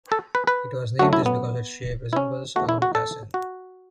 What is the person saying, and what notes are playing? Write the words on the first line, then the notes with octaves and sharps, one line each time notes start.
It was named this because its shape resembles a moccasin.
A4
B4
B4
F#2 F#3 A3 F#4
E4
B3
E4
C#4
E2 C#3 A3 F#4
E4
F#4
A4
F#4